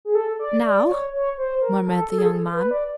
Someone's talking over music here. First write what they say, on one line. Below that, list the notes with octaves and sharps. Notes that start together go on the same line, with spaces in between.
"Now," murmured the young man.
G#4
A4
D5
D5
C#5
C#5
C5
A#4
A4
A4
G#4
A4
B4
D5